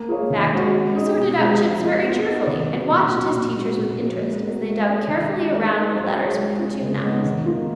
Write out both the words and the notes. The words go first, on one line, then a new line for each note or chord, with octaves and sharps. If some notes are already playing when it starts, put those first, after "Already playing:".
In fact, he sorted out chips very cheerfully and watched his teachers with interest as they dug carefully around the letters with the two knives.
Already playing: A#3
F4 G#4 C#5 F5
D#3
G#3 C#4 F#4 C#5
G#3
D#4 G#4
B2
G#3 B3 F4
F3
A#3 F4 G#4 D#5
B3
D#4 G#4
D#3
F#3 A#3
A#2
F#3 A#3 F4
A#2
G#3 B3 F#4
A#2
F3 A#3 C#4 F#4
G#3
B3 F#4 A#4
G#3
C#4 G#4
D#3
G#3 D#4
G#3
D#4 A#4
F#3
C#4 G#4 C#5
G#3
C#4 F4 G#4
C#3
G#3 B3 D#4
D#3
A#3 F4